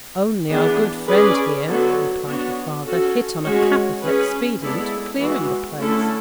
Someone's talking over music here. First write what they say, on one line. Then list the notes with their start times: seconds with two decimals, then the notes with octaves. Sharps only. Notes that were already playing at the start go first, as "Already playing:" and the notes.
'Only our good friend here,' replied her father, 'hit on a capital expedient for clearing the place.'
0.48 E3 B3 D4 G#4
1.07 C#4 G#4 B4 D5
1.66 D3 F#3 B3 F#4 A4
2.25 B3 D4 F#4 C#5
2.84 C#4 F#4 A4
3.42 G#3 C#4 F#4 C#5
4.01 C#4 G#4 B4
4.61 G#3 B3 E4 A4 D5
5.20 E3 G#3 B3 F#4
5.78 D3 A3 C#4 E4 A4